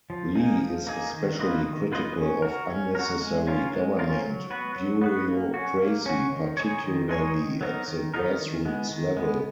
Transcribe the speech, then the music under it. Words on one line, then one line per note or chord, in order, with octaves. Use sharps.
Li is especially critical of unnecessary government bureaucracy, particularly at the grassroots level.
F3
A#3 D#4 G#4
F3
A#3 D#4 G#4
D#3
A#3 F4 B4 D#5
D#3
A#3 F4 B4 D#5
C#4
F#4 A#4
C#4
F#4 A#4
G#3
C#4 F4 A#4
G#3
C#4 F4 A#4
F#3
B3 F#4 B4
F#3
B3 F#4 B4
A#3
C#4 F#4
A#3
C#4 F#4
D#3
G#3 D#4 G#4 C#5
D#3
G#3 D#4 G#4 C#5
D#3
F#3 B3 D#4 A#4
D#3
F#3 B3 D#4 A#4
D#3
G#3 B3
D#3
G#3 B3